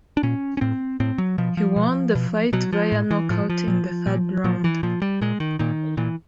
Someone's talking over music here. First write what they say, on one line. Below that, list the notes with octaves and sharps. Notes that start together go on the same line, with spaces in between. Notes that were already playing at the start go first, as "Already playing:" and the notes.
He won the fight via knockout in the third round.
D4
A#2 C#4
C#4
A2 C4
A2 C4
F#3
B2 F3
F3
B2
B2
B2 F#3
F3
A2
E3
A2 F3
F3
A#2
A#2
A#2 F3
E3
A#2 F3
G3
A#2 G#3
D#3
A#2 D#3
A#2 E3